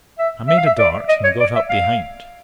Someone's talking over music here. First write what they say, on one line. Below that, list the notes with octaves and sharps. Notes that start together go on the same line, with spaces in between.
I made a dart and got up behind.
E5
E5
F5
E5
D5
D#5
C#5
D5
E5
F5